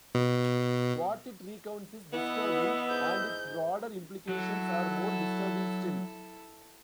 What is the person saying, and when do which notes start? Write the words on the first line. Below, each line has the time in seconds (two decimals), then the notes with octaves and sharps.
What it recounts is disturbing, and its broader implications are more disturbing still.
0.15 B2
2.13 E3 B3 E4 D#5 E5 F#5
2.90 G#2 G6
4.29 F#3 E4 A4